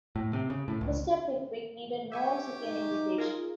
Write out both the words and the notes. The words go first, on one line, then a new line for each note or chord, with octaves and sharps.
Mr. Pickwick needed no second invitation.
A2
C3
C#3
A2
C#2
G4 E5 G#5 C#6
D#4
F4 G#4 A#4